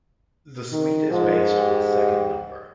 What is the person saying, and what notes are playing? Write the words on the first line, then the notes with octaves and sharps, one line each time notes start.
The suite is based on the second number.
D#3
G#2 F3
G4